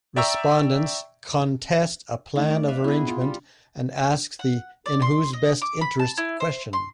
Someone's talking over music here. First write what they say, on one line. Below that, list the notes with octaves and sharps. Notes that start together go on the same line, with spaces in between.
Respondents contest a Plan of Arrangement and ask the "in whose best interest" question.
D5 E5 G5 A#5 C#6 E6
D#3 A3
D5
B4 E5 F5
B3 E4 G#4
F4
G3
F#5
D5
C6
D#5
D6
B5
A5
E4
C5
C6